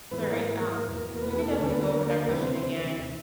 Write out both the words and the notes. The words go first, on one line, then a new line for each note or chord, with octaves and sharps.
It's all right, um, we could definitely go over that question again.
G#2 E3 B3 B4
B4
A#3 A#4
A#3 A#4
E2 B2
B3 B4
G#4
A3 A4
G#4
D2 D3 A3 A4
B3 B4
A#3 A#4
A#3 A#4
D2 C3 E3 B3 B4
C4 C5
C4 C5